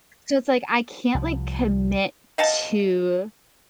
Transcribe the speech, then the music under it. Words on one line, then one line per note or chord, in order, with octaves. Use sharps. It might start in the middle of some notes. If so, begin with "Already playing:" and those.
So it's like, I can't, like, commit to,
C2 F3
D#5 F5 F#5 A5